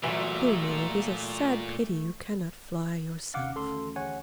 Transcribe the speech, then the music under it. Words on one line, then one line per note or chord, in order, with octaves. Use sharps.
Dear me! it is a sad pity you cannot fly yourself.
G1 C2 A#2 E3 F#3 A3 E5
D#2 D#3 C#4 F5 F#5 D6
D3 A3 C#4 A4 C6
E3 A3 F#4
D2 D3 G#4 C#5 F#5 G#5